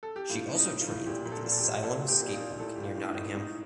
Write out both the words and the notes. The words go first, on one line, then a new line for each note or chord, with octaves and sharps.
She also trains at the Asylum skate park near Nottingham.
A4
G4
A2 F4
A2
D#4
A2
F4
A2
A#2 G4
A#2
A4
A#2
A4
G4
A#2
A#2 A4
A#2
G4
A#2
D#4
F4
A#2
A2 A4
A2 G4
F4
A2
D#4
A2
A2 D#4